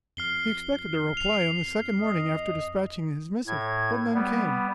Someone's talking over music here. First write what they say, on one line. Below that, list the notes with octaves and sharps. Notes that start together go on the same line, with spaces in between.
He expected a reply on the second morning after despatching his missive; but none came.
F2 F6 C7 G7
C7 F7
D#5
A2 G#6
G3 B3